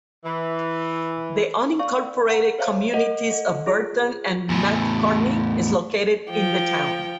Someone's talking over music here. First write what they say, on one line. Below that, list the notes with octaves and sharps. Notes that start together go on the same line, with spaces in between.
The unincorporated communities of Burton and McCartney is located in the town.
E3
D5 F5 C#6
F#5 A#5
C5 C#5 E5 F5 A#5
A#4 D#5 F#5
A4 D#5 F#5
F4 G#4
E2 A2
F3 G5